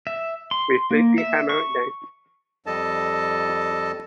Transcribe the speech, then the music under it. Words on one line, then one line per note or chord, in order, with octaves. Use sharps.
We flipping hammered them.
E5
C6
A#3
E5
C#6
F2 G3 A4 D#5 A5